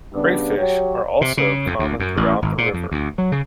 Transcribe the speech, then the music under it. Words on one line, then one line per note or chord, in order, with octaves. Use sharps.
Crayfish are also common throughout the river.
G2 C#3 G3 B3 D4
F#3 G4 C#5
C3
C#3
F2
D2
F#2
A1
G#1
A#2
F2
D2
F#3
C#3